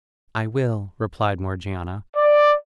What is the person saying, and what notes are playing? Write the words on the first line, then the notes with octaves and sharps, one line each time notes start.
"I will," replied Morgiana.
D5